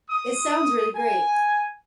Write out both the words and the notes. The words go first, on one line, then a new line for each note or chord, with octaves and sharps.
It sounds really great.
D#6
G#5